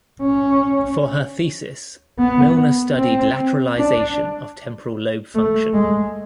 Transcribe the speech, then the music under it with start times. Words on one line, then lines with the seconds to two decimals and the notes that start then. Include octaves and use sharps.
For her thesis, Milner studied lateralization of temporal lobe function.
0.22 C#4
2.19 B3
2.97 C4
3.77 D4
5.35 A3
5.74 G#3